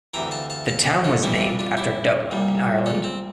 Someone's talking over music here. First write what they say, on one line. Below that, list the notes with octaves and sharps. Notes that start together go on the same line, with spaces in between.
The town was named after Dublin in Ireland.
D2 C3 E3 G5 A#5
F5 A5
F5 A5
F5 A5
D5 F5
F4 A4
F2 C3 E3 G3 E4 G4
G4
D4 F4
D4 F4
E4 G4
C2 A#2 G3
F4 A4
C4